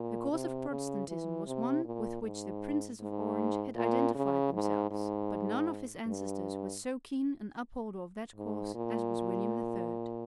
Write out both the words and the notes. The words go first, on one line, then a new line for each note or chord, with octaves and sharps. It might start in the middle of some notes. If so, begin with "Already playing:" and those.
The cause of Protestantism was one with which the Princes of Orange had identified themselves; but none of his ancestors was so keen an upholder of that cause as was William III.
Already playing: A#2
C3
C#3
E3
C3
A#2
G#2
G#2
A#2
C#3
G#2
G#2
G2
G#2
A#2